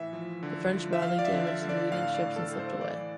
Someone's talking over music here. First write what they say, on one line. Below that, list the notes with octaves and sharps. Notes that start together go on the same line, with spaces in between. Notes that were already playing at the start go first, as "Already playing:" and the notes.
The French badly damaged the leading ships and slipped away.
Already playing: A2 E3 E5
F3
D3
F3
E5
F3 F5
D5
E5
D3
E5
D3
D5
A2 F5
D5
A2
A4
A2
C5
E3 D5